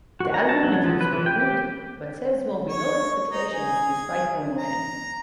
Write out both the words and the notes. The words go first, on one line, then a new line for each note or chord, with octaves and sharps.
The album reviews were good, but sales were below expectations despite promotion.
F#4
A#5
A5
F#3
F3
B4
E3
G5
G4
C#5
D#4
G#4 G#5
A#5